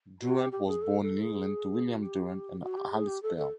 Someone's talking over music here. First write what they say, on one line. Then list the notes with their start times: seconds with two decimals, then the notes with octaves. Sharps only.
Durant was born in England to William Durant and Alice Pell.
0.22 F#4
0.37 G4
0.52 G4
0.67 G#4
0.82 A4
1.02 A4
1.22 G#4
1.92 F#4
2.02 G4
2.63 F#4
2.77 G4
2.92 G#4
3.07 G4
3.23 A4
3.37 A4